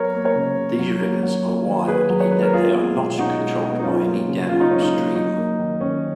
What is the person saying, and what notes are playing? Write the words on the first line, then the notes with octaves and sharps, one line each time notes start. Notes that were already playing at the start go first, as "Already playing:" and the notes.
These rivers are 'wild', in that they are not controlled by any dam upstream.
Already playing: F#3 B3 A#4 C#5
A#3
A#4 C#5
C#3
C#3
F#3
A#3
F#3
A#3
D#3
D#3 G#4 B4
F#3
C#5
A#3 B4
A#4
G#3 F4 G#4
B3
B2
B2 D#4 F#4
G#3
B3
D#4
F#3 C#4 F4
A#3
C#3
C#3 F4
D#4
F#3 C#4
D#4
A#3
F#3 D#4
A#3
D#3
D#3 C#4